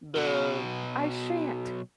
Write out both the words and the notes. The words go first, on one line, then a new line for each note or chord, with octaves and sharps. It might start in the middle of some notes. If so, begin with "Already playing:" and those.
the "I shan't,
B2 F#3